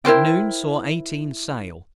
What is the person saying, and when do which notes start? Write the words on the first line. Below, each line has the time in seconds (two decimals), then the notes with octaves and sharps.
At noon saw eighteen sail.
0.05 E4 A#4 C5 G5